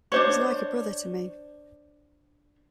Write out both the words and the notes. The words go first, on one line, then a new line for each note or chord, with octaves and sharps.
He's like a brother to me.
D4 C5 C#5